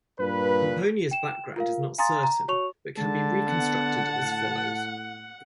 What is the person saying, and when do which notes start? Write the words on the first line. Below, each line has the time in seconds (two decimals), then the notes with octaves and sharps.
Pomponia's background is not certain, but can be reconstructed as follows.
0.20 G2 A#2 B4
1.11 G5 E7
1.56 F4 A#4 F5
1.98 F5 G#5 A#5 C6 D#6 A6
2.23 A#5
2.48 F#4 C#5 A5 C#6 F7
2.98 D3 G#3 A5
3.48 B3 F#5
4.12 A2